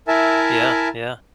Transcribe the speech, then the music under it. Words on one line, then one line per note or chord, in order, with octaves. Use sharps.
Yeah yeah.
E4 A#4 E5 G#5 A5